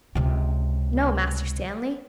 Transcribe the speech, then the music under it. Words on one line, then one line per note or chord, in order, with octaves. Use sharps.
'No, Master Stanley!
C#2 C3